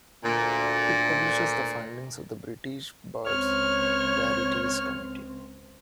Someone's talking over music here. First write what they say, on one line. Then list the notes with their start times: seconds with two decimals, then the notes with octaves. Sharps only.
It publishes the findings of the British Birds Rarities Committee.
0.24 D2 A#2
3.27 C#2 C4 C#5 F6